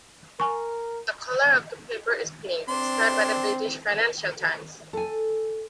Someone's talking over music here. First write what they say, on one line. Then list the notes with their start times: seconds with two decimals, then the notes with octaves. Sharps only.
The color of the paper is pink, inspired by the British "Financial Times".
0.40 A#4 G#5 C#6
2.69 C4 D4 C6
4.93 A4 G#5